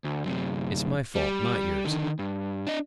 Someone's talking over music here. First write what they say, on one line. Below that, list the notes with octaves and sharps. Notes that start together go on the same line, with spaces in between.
It's my fault, not yours.
D2
F#2 C3
G3
D3 D#3
G2
D4 D#5